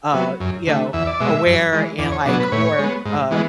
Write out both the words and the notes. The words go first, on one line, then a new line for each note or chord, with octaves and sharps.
uh, you know, aware and, like, more, uh,
F#3 B3
F#2
D3 A3
E2 E5
D5
B2 G#3 E5
F#2
E3 G#3
E2 D5
C#5
B2 F#3 B3 D4
B4
A2 C#5
G#3 B3
G#2
E3 G#3 B3